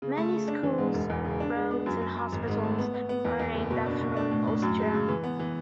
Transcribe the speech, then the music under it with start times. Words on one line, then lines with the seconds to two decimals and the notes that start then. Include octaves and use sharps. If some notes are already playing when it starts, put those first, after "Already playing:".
Many schools, roads and hospitals are named after him in Austria.
0.02 C#3
0.17 A3
0.32 C#3
0.48 D4
0.63 E3
0.78 G#2
0.94 E1
1.10 E2
1.24 C#3
1.40 D4
1.55 G#3
1.71 B3
1.86 F#2
2.01 F#2
2.17 F#2
2.32 G#1
2.47 G#2
2.63 A3
2.78 B3
2.94 B3
3.09 B3
3.25 E2
3.39 E2
3.55 F#1
3.71 B2
3.86 D4
4.01 B2
4.17 D4
4.31 A2
4.47 A2
4.62 F#2
4.78 G#3
4.94 C#3
5.08 E3
5.24 B3
5.39 E3